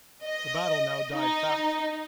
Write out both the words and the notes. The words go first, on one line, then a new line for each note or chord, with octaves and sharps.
The battle now died fast.
D#5
D#4